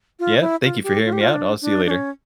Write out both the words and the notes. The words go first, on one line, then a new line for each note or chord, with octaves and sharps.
Yeah, thank you for hearing me out, I'll see you later.
F4
E4
F4
G4
F4
G4
F4
D4
D4
D4
C#4